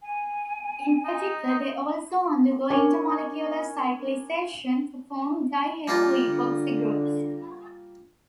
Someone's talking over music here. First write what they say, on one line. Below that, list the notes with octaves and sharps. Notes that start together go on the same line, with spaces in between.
In particular they also undergo intramolecular cyclisation to form dihaloepoxy groups.
G#5
D#4
D4 A#4 C#5 G#5 C#6 D6
G3 A#3 F4
D3